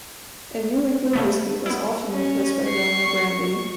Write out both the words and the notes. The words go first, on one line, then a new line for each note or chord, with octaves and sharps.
In New England whiskey was often replaced by rum or brandy.
C#3 A3 B3
B3 E4
C#4
C#6 C7
C#6